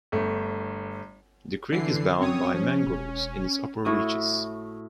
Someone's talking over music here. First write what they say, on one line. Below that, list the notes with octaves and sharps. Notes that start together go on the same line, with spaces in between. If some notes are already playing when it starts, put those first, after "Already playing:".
The creek is bound by mangroves in its upper reaches.
G1 A3
D3 E3 C7
F#2 C4 C#5 D#6
F3 C#4
E1
A2 E4 F#4 D#6